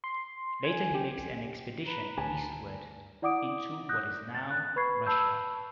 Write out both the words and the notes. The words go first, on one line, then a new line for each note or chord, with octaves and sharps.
Later, he makes an expedition eastward into what is now Russia.
C6
G#5
G4
B4 A#5
D2 G#5 A5
E4 D5 F#5 D6 D#6 D7
D#6 F#6 G6 A#6
A6
F#6
B4 B5 C#6 G#6 C7
A5 B5 E6 G6